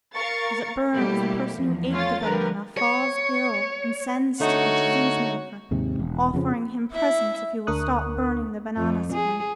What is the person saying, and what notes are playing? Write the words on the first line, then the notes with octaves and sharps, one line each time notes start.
As it burns, the person who ate the banana falls ill and sends to the disease-maker, offering him presents if he will stop burning the banana skin.
A#4 F5 C#6 A6 C#7
B2 G3 A3 A#3 E4 G4
E2 F3
A3 C#4 F4 A6
D3 F3 A3 A#4 B4
C#5
D3 A3 D#4 F#4 C#5
D#2 G#2 C3
E1
F2 C#3 F3
E4 E5
D2 D4 A#4 C#6 D#6 F#6
F2
G#4